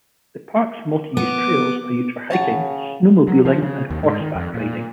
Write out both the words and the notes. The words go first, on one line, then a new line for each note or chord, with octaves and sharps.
The park's multi-use trails are used for hiking, snowmobiling and horseback riding.
B3 D6
C#3 F#4 C#5 A5
F#3
F3
C#3
D#2
G#2
D#3
F2
A#2